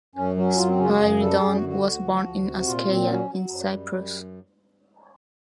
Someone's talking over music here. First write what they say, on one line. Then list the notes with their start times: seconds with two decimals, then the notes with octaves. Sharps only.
Spyridon was born in Askeia, in Cyprus.
0.15 F#2 C#4
0.36 F#3 C#4
0.57 F#2 F4
0.68 C4
0.78 C#3 C#4
0.84 F4
0.88 F#4
0.99 F#2 G#4
1.20 G3 A4
1.41 F#2 G#4
1.55 F#4
1.62 D3
1.69 F#4
1.83 D2
2.04 F3
2.25 D2
2.46 C3
2.67 A#2 F4
2.87 A#2 C4
3.08 F#3 C#4
3.30 F#3
3.51 F#2
3.72 G3
3.92 F#2